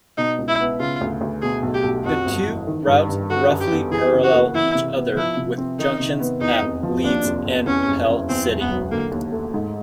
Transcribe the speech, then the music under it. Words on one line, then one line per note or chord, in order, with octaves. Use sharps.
The two routes roughly parallel each other, with junctions at Leeds and Pell City.
B2 D#4
C#2
E4
B3
C#3 F4
D2
D2
B2 G#4
B1
G4
B1
F2 F#4
G1
E3
D#3
G2
G2
D3 F#4
F#2
G4
B3
E3 G#4
C#3
F#4
A#3
E3 E4
C3
B3
F3 E4
C3
C4
D#3 D#4
C3
B3
E2 D#4
F1
F3
D#2 D4
F1
F1
E2 C#4
F#1
F#1
E2 C4
E1
B3
F#3
D3 A#3
D#2
A3
G#2